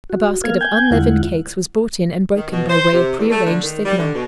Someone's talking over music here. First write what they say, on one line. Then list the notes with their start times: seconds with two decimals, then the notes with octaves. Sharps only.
A basket of unleavened cakes was brought in and broken, by way of prearranged signal.
0.10 F#4
0.44 A#3 B3 A#4 F5 F6 G#6
0.61 G5 G#5 G6 G#6
0.91 E2 D3 G#3 E4 F4 F#5
2.35 D#3
2.50 B2
2.69 C5
2.93 C3
3.17 E2
3.31 A3
3.46 D3
3.63 D#3
3.84 G3
3.98 D3
4.14 B2